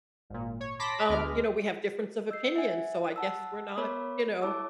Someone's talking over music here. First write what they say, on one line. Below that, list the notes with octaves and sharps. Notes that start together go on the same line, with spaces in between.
um, you know, "We have difference of opinions, so I guess we're not" you know?
G#1 A#2
C#5
A5 B5 C6 D6 A#6 B6
D2 B3 D6 F6
G#3
D#5 E6 G6 C7
E5 F#5 G#5
F#5 A5 E6
B3 A#4 C#5 B5 D6
E4 A4 C#5 A5 D6 E6